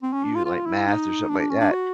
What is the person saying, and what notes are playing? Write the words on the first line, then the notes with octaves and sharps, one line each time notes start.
you like math or something like that
C4
C#4
D4
F4
F4
E4
D#4
D4
D4
C#4
D4
F#4